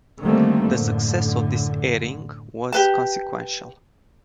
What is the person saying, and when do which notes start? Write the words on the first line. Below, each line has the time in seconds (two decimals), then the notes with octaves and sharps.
The success of this airing was consequential.
0.22 D3 D#3 G3 A3 A#3 C4
0.71 F#2 A2 D3
2.72 G4 B4 A5